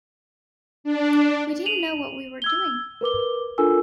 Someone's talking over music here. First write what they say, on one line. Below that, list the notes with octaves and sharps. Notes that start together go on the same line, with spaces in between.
We didn't know what we were doing.
D4
D#7 F7 F#7
E6 G#6 G7
A#4 B4 D6 G7
D4 F4 A4 A#4 G#5 E6